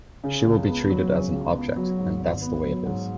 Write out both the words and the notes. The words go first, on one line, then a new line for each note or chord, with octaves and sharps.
She will be treated as an object and that's the way it is.
C#3
C#2
B3
F#3
C#3
C#2
B3
F#3
G#2
G#1
B3
F#3
G#2